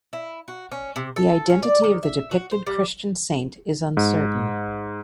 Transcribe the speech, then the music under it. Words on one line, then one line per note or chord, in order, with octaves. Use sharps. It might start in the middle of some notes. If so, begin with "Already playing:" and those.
The identity of the depicted Christian Saint is uncertain.
E4
F#4
C#4
C3
A4
C#4
D5
D#3
E5
F#4
C5
G3
G#2